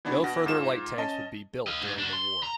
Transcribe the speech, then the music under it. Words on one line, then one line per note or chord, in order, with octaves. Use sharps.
No further light tanks would be built during the war.
E3 B3 D4 E4 F#4
B2 F#5 A#6
G#2 F4 E7
C#4 D#5 A5
D#5 F5
G#2
D4 F#4
C6
A#5